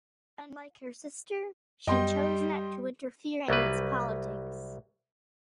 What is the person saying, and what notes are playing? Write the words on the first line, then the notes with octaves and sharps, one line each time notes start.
Unlike her sister, she chose not to interfere in its politics.
F#2 G3 B3 D#5 G5 C6
C2 F#3 G3 B4